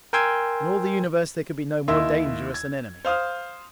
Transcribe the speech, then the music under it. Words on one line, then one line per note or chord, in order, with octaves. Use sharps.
In all the universe there could be no more dangerous an enemy.
A#4 G5 G#5 C6 E6 G#6
D#2 E4 D#5 E5 C6 E6
G#6
C5 F5 D#6 F6